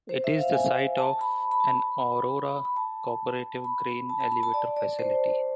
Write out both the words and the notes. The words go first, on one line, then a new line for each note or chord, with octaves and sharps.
It is the site of an Aurora Cooperative grain elevator facility.
C5
E5
F5
G#5
A5
B5
B5
A5
B5
B5
A5
B5
A5
A5
B5
A5
D5
D5
C5